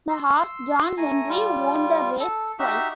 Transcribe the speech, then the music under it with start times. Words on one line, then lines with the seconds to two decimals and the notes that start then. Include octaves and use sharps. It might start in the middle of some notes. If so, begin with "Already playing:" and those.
The horse John Henry won the race twice.
0.09 C6 E6
0.97 A3 G#5 A#5
1.29 G3 F4
2.20 A4
2.59 D#4 F#4 G4 E5